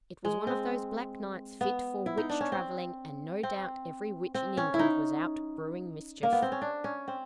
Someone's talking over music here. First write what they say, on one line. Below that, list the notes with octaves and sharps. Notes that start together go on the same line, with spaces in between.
It was one of those black nights fit for witch traveling; and, no doubt, every witch in England was out brewing mischief.
G#3
C4
B3
E4
D#4
D4
C#4
C4
C4
C4
C#4
E4
D#4
A#3
B3
C4
C#4
D4
C#4
C4